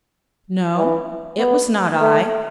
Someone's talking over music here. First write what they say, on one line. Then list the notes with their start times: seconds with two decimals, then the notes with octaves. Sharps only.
"No, it was not I."
0.76 E3
1.38 B3
2.01 A3